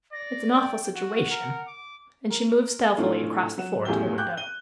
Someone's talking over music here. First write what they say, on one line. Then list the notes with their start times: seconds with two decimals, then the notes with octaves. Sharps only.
"It's an awful situation," and she moved stealthily across the floor to the window.
0.13 D5 A#6
0.52 G5
0.95 F#4 F#5
1.31 A#4
1.67 D6
2.30 A#4
2.97 A2 E3 C4 D4 D#4 F4
3.57 F#3 F#5 E7
3.85 A1 E2 A2 F4 G4 G7
4.18 G5 D6 F#6 G6
4.37 D#7 G7